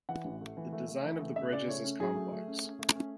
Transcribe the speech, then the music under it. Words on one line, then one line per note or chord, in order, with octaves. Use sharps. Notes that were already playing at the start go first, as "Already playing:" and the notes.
The design of the bridges is complex.
E3 F#5
A1
A3
E3
A3
A3
E3
A3
C#3 E5
C#3 D5
A3 C#5
C#4
F#3 G#4
A3
A3
C#4
C#4
A3
C#4